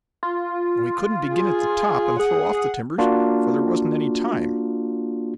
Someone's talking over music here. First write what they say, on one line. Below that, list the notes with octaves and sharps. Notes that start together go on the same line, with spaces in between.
And we couldn't begin at the top and throw off the timbers, for there wasn't any time.
F4
G#4
G#4 F#5
A#3 D4 F4 F#4